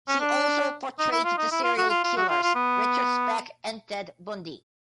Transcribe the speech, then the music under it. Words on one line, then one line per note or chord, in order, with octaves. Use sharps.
He also portrayed the serial killers Richard Speck and Ted Bundy.
C#4
D4
D#4
E4
F4
D#4
E4
F4
F#4
F4
F4
F#4
F4
F4
B3